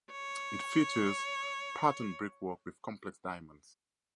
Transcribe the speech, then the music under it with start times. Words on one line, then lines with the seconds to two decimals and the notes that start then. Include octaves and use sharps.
It features patterned brickwork with complex diamonds.
0.12 C#5